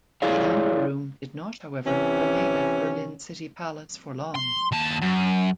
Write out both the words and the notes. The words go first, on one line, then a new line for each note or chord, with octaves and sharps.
The Amber Room did not, however, remain at Berlin City Palace for long.
E4 F4 G#4 C#5 D5 F5
C3 E3 C#4
C6
D#2 A5
F#2